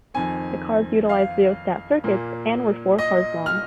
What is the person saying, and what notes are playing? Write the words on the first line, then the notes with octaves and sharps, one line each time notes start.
The cars utilized rheostat circuits and were four cars long.
F2 D#3 C4 G#5
F5
A#2 A#3
D#5
F6